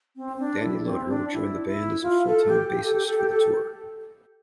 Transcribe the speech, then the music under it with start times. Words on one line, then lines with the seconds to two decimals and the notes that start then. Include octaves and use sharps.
Danny Lohner would join the band as full-time bassist for the tour.
0.16 C4
0.40 D4
0.62 E4
0.85 C4
1.09 D4
1.33 E4
1.67 E4
2.02 F4
2.26 A4
2.48 G4
2.71 G4
2.84 A4
2.95 G4
3.06 A4
3.18 G4
3.30 A4